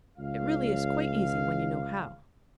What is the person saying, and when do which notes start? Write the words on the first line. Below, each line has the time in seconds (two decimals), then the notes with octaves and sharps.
It really is quite easy when you know how.
0.18 C#2 F5